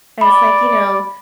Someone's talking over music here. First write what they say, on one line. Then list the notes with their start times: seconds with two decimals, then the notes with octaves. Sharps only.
and it's, like you know,
0.21 D5 B5